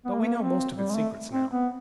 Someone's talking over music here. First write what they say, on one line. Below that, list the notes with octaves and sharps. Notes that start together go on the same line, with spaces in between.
But we know most of its secrets now.
B3
A#3
A3
A#3
C4
G3
G#3
A3
C4
B3